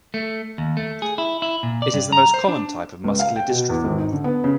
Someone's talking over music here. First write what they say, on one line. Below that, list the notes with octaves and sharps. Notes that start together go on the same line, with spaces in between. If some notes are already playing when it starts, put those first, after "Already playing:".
It is the most common type of muscular dystrophy.
A3
D#2
A3
G#4
E4
E4
A#2
D5
G2
A#5
C5
D4
C#2
F5
G5
B2
E2
G#1
D#4
D3
B3
C#3